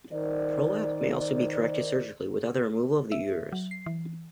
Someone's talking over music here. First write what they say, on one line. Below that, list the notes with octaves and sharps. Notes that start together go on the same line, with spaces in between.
Prolapse may also be corrected surgically without removal of the uterus.
D#3 C5 D5
E5
F#3
C7
E3